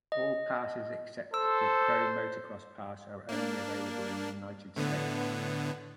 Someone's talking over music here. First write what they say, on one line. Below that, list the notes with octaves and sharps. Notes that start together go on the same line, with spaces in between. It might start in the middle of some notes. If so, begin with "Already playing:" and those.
All passes except the Pro Motocross Pass are only available in the United States.
D#5
A4 C5 E6
A#3 D4
A2 D3 B3